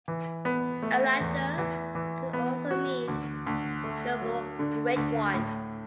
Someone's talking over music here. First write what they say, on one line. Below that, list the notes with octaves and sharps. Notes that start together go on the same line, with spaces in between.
Alatar could also mean "Noble, great one".
E3
B3
A3
E2
E3
E3
B3
F#4
D2
D2
A3
F#3
D3
D2
A2